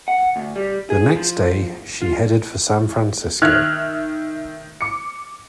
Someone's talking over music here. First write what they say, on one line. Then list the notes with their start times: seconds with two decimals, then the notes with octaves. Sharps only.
The next day, she headed for San Francisco.
0.08 F#5
0.36 D2
0.56 G3
0.90 G#4
1.16 F3
2.02 F4
3.42 D#3 E5 F6 F#6 G#6
4.81 D6 C#7